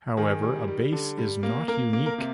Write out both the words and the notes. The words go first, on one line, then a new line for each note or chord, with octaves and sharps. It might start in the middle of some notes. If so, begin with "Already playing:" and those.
However, a base is not unique.
D#3 G#4
G3
G3
D3
G3
A#3
A#3 A#4
A#3
A#4
C3